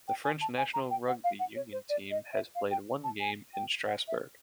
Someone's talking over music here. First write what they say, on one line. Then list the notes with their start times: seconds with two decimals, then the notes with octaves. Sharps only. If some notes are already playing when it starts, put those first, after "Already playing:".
The French national rugby union team has played one game in Strasbourg.
0.08 G5
0.24 G#5
0.41 A5
0.58 G#5
0.74 A#5
0.91 G5
1.08 F#5
1.24 F5
1.40 F#5
1.56 C#5
1.72 C5
1.90 D5
2.11 D#5
2.33 E5
2.55 F5
2.71 G5
3.04 A5
3.20 G#5
3.54 G5
3.87 F#5
4.08 E5